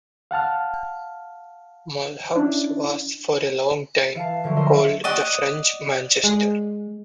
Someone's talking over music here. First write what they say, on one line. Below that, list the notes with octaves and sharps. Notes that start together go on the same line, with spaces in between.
Mulhouse was for a long time called the French Manchester.
F5 F#5 A5 F6
C#4 D4 E4
E3 F5 A5
D3 F3 F#3
A#4 C5 D#5 E5 C6
D5 D#5 F#5
G#3